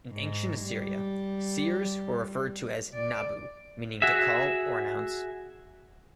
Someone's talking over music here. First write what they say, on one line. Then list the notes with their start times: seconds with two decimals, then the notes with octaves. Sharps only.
In ancient Assyria seers were referred to as "nabu", meaning "to call" or "announce".
0.11 G#2
0.63 G3
2.94 D5
4.02 F#4 G#4 E5